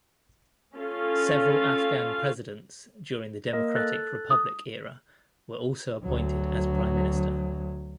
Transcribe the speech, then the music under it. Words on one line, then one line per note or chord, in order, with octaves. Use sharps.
Several Afghan presidents during the Democratic Republic era were also appointed as Prime Minister.
C#4 F4 A4 F5
A#3 A#4 D#5
A4 F#6 A6
D#6
D2 F#3